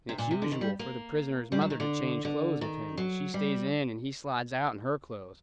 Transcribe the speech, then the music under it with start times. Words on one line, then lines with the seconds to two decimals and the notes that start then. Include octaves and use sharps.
And it's usual for the prisoner's mother to change clothes with him, and she stays in, and he slides out in her clothes.
0.09 C3
0.18 A#2
0.31 C3
0.42 D3
0.52 D#3
0.61 G3
0.79 A#3
1.52 G3
1.61 F#3
1.70 D#3
1.80 D3
2.25 D3
2.61 D#3
2.97 F#3
3.34 G3